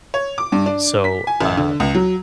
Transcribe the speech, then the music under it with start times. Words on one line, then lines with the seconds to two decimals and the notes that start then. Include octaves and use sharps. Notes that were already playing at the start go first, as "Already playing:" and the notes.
So, uh
0.14 C#5
0.38 D6
0.52 G2
0.66 D4
1.04 B6
1.27 G#5
1.41 A1
1.57 D3
1.80 C#2
1.95 F#3